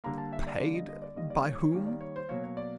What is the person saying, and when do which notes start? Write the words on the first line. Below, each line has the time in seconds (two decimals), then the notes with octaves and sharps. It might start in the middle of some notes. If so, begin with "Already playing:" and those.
"Paid, by whom?"
0.04 D3 G3 A#3 A#5
0.18 A5
0.33 E5
0.47 D5
0.60 D3 G3 A#3 D5
0.75 D#5
0.89 D#5
1.02 D5
1.16 D#3 G3 A#3 D#5
1.30 D5
1.44 C#5
1.59 C#5
1.73 D#3 G3 A#3 C#5
1.86 D5
2.01 C#5
2.16 C5
2.29 B2 F#3 A#3 C#5
2.44 C#5
2.57 D5